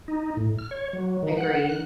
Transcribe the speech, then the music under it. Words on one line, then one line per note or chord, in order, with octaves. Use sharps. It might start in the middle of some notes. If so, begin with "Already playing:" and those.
I agree.
D#4
A2
F6
C#5
F#3
D#3
F#5
F#6